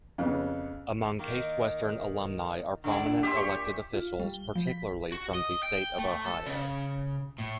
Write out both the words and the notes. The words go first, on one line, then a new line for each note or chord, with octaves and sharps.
Among Case Western alumni are prominent elected officials, particularly from the State of Ohio.
F2 C#3 B3
D#3 A#3
D3 D4 E4
A#2 G4 E5 C6
C#6
F4
G3
G7
F3
B6
F#4
D#5
G5
A3
A4
C#3
A2